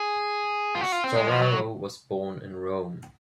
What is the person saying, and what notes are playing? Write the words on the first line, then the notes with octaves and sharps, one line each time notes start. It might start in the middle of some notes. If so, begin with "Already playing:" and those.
Storaro was born in Rome.
Already playing: G#4
F4
F#4
F4
C4
G#3
F3
F#3